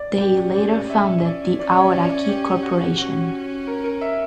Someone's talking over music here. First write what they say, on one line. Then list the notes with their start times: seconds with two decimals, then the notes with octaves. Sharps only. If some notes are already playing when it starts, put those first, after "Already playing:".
They later founded the Aoraki Corporation.
Already playing: D5
0.20 C#4 G4
0.55 D5
0.90 E5
1.24 D5
1.59 C#4 D5
1.76 C#5
1.89 D5
1.93 C#5
2.10 D5
2.28 G4
2.63 F#4
2.97 C#4 F#4
3.67 A#4
3.84 A#4
4.01 E5